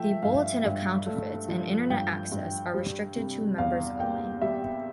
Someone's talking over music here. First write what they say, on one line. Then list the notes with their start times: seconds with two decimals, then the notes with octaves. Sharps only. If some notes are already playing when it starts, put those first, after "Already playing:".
The Bulletin of Counterfeits and Internet-access are restricted to members only.
Already playing: F3 A3 E5 G5
0.23 G2 F5
0.64 G2
1.06 A3
1.48 F3
1.90 G2 G5
2.32 G2
2.74 G3
3.16 C3
3.58 E2 F5
4.00 A#3 G5
4.41 G3 E5